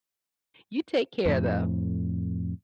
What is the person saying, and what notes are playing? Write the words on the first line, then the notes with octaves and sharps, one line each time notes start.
you take care though.
F2 A2